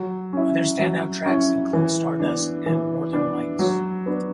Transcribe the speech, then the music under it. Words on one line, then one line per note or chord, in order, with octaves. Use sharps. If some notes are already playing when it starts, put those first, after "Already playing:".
Other standout tracks include "Stardust" and "Northern Lights".
Already playing: F#3
C#4 E4
F#3
C#4 E4
E3
B3 D4
E3
B3 D4
F#3
B3 D4